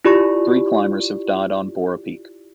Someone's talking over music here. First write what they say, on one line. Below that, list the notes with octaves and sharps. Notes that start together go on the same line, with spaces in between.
Three climbers have died on Borah Peak.
E4 F4 G4 D5 B5 C#6